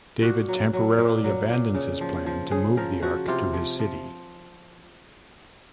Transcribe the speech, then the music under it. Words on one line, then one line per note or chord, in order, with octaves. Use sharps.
David temporarily abandons his plan to move the ark to his city.
A#2 F#4
F#3
F#3
A#2
F#3
A#2
C#3
F3
F3
C#3 G#4
F3 A#4
F3 F#4
C3 F4
F3
F3